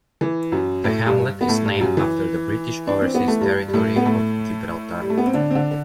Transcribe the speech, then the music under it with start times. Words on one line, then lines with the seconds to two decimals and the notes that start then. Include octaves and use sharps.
The hamlet is named after the British Overseas Territory of Gibraltar.
0.21 E3
0.52 F#2 F#3
0.84 A2 A3
1.06 G2 G3
1.41 B3
1.48 A2 A3
1.65 G2 G3
1.81 F#2 F#3
1.97 E3
2.87 D4
3.02 C4
3.15 B3
3.28 A3
3.41 G2 G3
3.68 G3
3.73 A2 A3
3.96 B3
4.05 A2 A3
5.02 G3
5.10 A3
5.18 B3
5.26 C4
5.34 D3 D4
5.50 C4
5.55 D3 D4